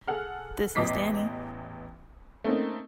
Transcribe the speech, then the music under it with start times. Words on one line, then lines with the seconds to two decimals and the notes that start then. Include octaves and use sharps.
This is Danny.
0.08 G#4 A4 F#5 F6
0.75 A1 E2 D#5 D6 B6 C7
2.44 A3 A#3 C4 C#4 D#4